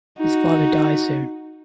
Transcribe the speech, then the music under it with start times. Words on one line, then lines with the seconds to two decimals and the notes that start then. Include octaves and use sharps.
His father dies soon.
0.19 D#4 F#4